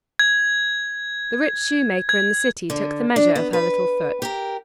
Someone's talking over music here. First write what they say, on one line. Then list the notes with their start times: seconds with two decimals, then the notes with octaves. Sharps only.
The rich shoemaker in the city took the measure of her little foot.
0.19 G#6
2.09 G#6
2.70 D3
3.16 D4
3.35 B3
3.53 B4
4.22 G4 A#4